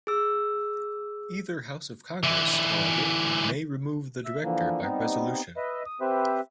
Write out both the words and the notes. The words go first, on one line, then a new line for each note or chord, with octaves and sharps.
Either house of Congress, however, may remove the director by resolution.
G#4 E6
D3 E3
E5
D3 E3 F3 A#3
G3 B3 C4 D#4
B4 D#5 E5
D#6
C4 G4 B4 C5 E5